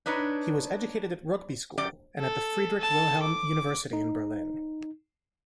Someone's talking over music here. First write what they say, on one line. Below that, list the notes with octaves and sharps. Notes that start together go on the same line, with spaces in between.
He was educated at Rugby School and at the Friedrich Wilhelm University in Berlin.
D4 D#4 B4 C#5
F#2 G4 D5 G5
A4
A4 A5
D6
D#4